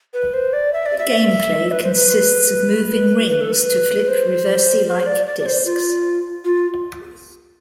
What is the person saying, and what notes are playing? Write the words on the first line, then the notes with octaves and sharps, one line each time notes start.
Gameplay consists of moving rings to flip Reversi-like discs.
B4
C5
D5
E5
D5
E5
B4
C5
B4
B4
A4
B4
C5
C5
D5
D5
D5
C5
F4
F4